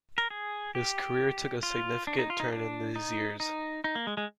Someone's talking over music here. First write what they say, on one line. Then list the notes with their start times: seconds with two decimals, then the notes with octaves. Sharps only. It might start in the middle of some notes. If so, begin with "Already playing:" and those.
His career took a significant turn in these years.
0.18 A#4
0.30 G#4
0.75 G4
1.63 F4
2.07 D4
2.19 D#4
2.30 F4
2.40 D#4
2.52 D4
2.96 D#4
3.40 D#4
3.84 D#4
3.95 A#3
4.07 G#3
4.17 G#3